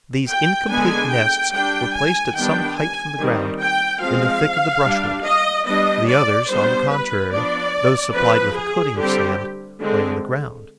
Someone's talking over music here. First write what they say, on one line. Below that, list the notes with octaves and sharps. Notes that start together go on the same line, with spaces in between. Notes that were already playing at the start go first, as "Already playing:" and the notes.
These incomplete nests were placed at some height from the ground, in the thick of the brushwood; the others, on the contrary, those supplied with a coating of sand, lay on the ground.
G5
D3 G#3 B3 D4 G#5
G5
G3 D4 G5
G#5
D#3 G3 B3 D4 G5
G#5
D#3 G3 C4
G5
F3 G#3 C4 F5
G3 D4
D#5
G3 B3 D4 D#5
D5
G3 B3 D4 C5
B4
F3 B3 D4 D5
F3 C4 B4
G#4
D3 G3 C4 G4
D3 G#3 C4